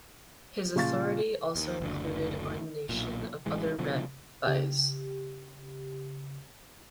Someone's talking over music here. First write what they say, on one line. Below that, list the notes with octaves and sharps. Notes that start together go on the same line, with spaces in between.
His authority also included ordination of other rabbis.
A#2 C#3 F3 F5 C#6 A6
D#2
F#1 D2 D3
B1 A#2
A1 E3 G#3
B2 D3 F3
C#3 G4